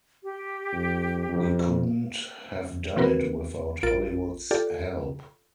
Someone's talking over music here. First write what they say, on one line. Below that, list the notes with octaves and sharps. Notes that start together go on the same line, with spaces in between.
We couldn't have done it without Hollywood's help.
G4
F2
F2
E3 C4 F#4 A#4 B4
A1 F4 A#4 A6 D7
F4 G4 A4 D5